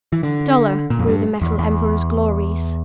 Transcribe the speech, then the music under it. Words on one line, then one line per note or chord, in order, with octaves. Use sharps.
Duller grew the Metal Emperor's glories.
E3
D3
A#2
F2
G2
E2
E2